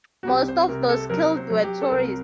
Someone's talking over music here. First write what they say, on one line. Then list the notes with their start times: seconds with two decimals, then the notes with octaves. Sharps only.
Most of those killed were tourists.
0.23 F#4
0.28 C2 G4
0.48 C5
0.68 C3 A#4
0.89 A4
1.10 F#3 A#4
1.37 C5
1.50 F#3
1.64 G4
1.81 A4
1.91 C2 A#4